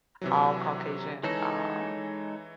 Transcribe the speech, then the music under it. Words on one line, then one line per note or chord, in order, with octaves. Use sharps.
all Caucasian, um,
C3 E3 F#3
E3 G#3 D#4 A4 C#5 A#6